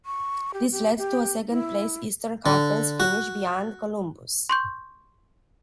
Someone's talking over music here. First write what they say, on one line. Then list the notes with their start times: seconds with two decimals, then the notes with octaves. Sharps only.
This led to a second place Eastern Conference finish behind Columbus.
0.06 C#6
0.54 G4
0.72 G4
0.98 G4
1.49 E4
2.46 D3
3.00 F#4
4.49 C6 C#6 G6